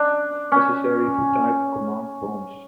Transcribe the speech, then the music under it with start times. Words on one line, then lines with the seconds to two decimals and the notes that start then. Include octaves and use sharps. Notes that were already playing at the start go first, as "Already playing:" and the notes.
It is not necessary to type command prompts.
Already playing: D4
0.52 C#4